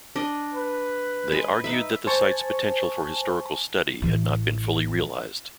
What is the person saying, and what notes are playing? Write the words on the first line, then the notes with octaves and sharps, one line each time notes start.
They argued that the site's potential for historical study had not been fully realised.
D4 D#5
B4
G#3 B4
D#4 B4 E5
C5 G#5 A5 C#6
A1 E3